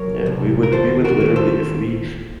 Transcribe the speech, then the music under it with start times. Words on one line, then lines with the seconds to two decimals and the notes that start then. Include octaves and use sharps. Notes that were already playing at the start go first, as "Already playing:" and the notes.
Yeah, we would we would literally if we
Already playing: F#3 A#4 C#5
0.26 C2
0.63 A#4
0.73 D#2 A4 C5
1.04 F#4 A#4
1.21 D#3
1.36 A4 C5